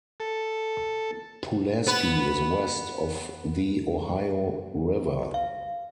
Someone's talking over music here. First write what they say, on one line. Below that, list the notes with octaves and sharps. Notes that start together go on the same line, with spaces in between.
Pulaski is west of the Ohio River.
A4
B3 B4
F5